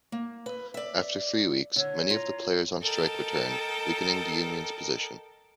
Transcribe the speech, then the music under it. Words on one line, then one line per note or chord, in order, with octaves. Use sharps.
After three weeks, many of the players on strike returned, weakening the union's position.
A#3
B4
D5 E5
D3 C#5
F4 A#5
A4 A#4 D#5 G5 A5